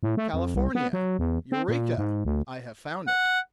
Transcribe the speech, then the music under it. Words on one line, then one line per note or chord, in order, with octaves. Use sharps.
California--Eureka: I have found it.
A2
A3
F2
C2
B3
F#3
E2
C4
A#2
G#2
D2
F#5